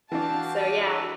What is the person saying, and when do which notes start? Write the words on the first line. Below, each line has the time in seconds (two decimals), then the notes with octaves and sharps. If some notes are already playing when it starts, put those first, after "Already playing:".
So, yeah.
0.12 E3 D4 F#4 F5 G5 A5
0.80 F#4 A4 D5